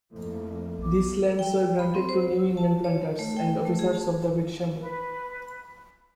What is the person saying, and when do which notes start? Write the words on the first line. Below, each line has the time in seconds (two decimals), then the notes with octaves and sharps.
These lands were granted to New England Planters, and officers of the British army.
0.13 F2 A3 A#3 E4
0.78 A#1 B3 D6
1.39 G5
1.79 B5
1.95 C4
2.09 C5
2.57 A5
2.84 C#5
3.19 A3
3.37 G5
3.65 A3
3.79 G#4
3.93 A5
4.81 B4